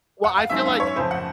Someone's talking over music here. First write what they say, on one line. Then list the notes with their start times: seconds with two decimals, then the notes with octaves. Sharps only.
Well, I feel like
0.24 F#5
0.38 F5
0.50 G#2 D#3 F#3 A3 C#4 E5
0.65 F5
0.80 C#5
0.96 F2 C#3 F3 A3 C5
1.11 F#5